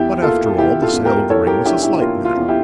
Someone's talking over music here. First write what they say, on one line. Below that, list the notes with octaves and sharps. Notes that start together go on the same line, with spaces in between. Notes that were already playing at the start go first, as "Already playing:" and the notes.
But, after all, the sale of the ring was a slight matter.
Already playing: E2 E4 G4
A#3 F4 A4
E3 E4 G4
F4 A4
E2
G4 A#4
E3 A4 C#5
G4 A#4
D4 E4 G4
E4 G4
A#3 F4
F4
E2
E4 G4